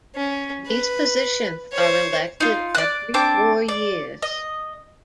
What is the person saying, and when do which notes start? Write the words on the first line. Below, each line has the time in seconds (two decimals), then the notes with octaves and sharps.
These positions are elected every four years.
0.16 C#4
0.67 B4
1.73 C5 C#5
2.40 D#4 F4
2.75 D5 F#6
3.14 C4 D4 D6
3.68 D5
4.22 D#5